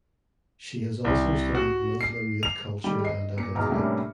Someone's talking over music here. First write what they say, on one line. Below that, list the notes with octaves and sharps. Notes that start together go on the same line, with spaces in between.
She has also studied Muslim youth culture and identity.
C2
F#4
C7
F7
D#3 G3
D#5 C7
A#2 C#7
E2 G#2 B2 A#5 F6
A2 C3 G3 A#3 C#4 D4